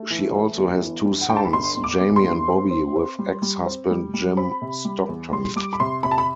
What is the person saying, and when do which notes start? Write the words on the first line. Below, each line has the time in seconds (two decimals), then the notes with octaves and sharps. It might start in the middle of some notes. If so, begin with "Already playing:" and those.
She also has two sons, Jamie and Bobby, with ex-husband Jim Stockton.
Already playing: A3
0.10 E3
0.35 A3
0.57 G1
0.81 E3
1.05 G2
1.21 F#5
1.29 G2 G5
1.37 A5
1.45 B5
1.53 G1 C6
1.77 G1
1.84 D6
2.01 G1
2.16 C6
2.24 G2
2.48 C4
2.71 C4
2.96 C4
3.19 G3
3.42 G3
3.66 C4
3.90 G3
4.14 G3
4.37 C4 B5
4.62 C3
4.85 G3
5.09 E2
5.32 G3 C6
5.56 G3 D6
5.73 B5
5.80 C3 C6
6.03 C3 B5
6.11 A5
6.18 B5